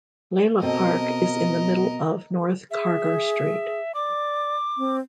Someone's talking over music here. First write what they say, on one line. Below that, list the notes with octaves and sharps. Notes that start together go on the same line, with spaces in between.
Laleh Park is in the middle of North Kargar street.
B2 C4 A4 A#4 D#5
G#4 E5
D5 D6
C4